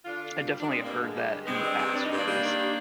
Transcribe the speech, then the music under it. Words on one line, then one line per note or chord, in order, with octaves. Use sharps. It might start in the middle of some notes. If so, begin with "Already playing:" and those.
I definitely have heard that in the past at least.
D3 D4 F4
D3
G2
G3
D4
G3 G#3 C4
G2 G3 A#3
D3 G#3
G3
G2
G2 G#3 C4
G3
G2
G3 D4
G2 D#4
A#3 D4
G3
D#3
G3